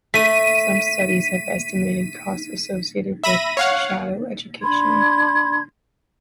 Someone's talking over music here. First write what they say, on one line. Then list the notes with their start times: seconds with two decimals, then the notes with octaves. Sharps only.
Some studies have estimated costs associated with "shadow education".
0.14 A3 B6 D#7
3.24 E5 B5 A#6 D#7
3.57 C#5 F5 F#5
4.63 D4 B5 C6 G#6